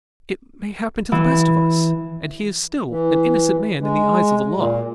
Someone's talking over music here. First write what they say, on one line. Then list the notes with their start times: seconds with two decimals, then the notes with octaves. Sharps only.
"It may happen to the best of us; and he is still an innocent man in the eyes of the law."
1.12 E3
2.90 E3
3.82 G#3
4.56 A#2